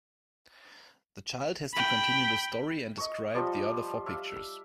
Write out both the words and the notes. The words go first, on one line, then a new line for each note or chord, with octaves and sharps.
The child has to continue the story and describe the other four pictures.
G5 B5
D#5 C#6
F3 G3
E5 F5 D6